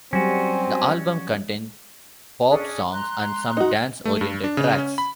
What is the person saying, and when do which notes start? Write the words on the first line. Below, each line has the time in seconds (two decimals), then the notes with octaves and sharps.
The album contains pop songs and some dance oriented tracks.
0.13 F#3 G3 C4 C#4 F#4 G#5
2.48 C#4 D4 G#4
2.91 A#5 C6 F#6
3.57 D#4 F#4
4.05 A3
4.21 G2
4.44 D4
4.57 C#3
4.78 C#4
4.98 B5